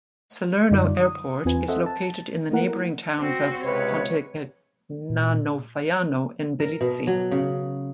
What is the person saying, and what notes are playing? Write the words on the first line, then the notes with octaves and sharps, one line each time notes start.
Salerno airport is located in the neighboring towns of Pontecagnano Faiano and Bellizzi.
F#2 D3 G3 D#4 F4 D5
D#6
E2 C4 F4 B4 G#5
A4 C5 D#5 E5 F#5
A5
A3 A#3 E4 A#4 F#5
C4 F#4
C#2 C3 B4 C#5
A#2
A#4
B2
F#3
C#3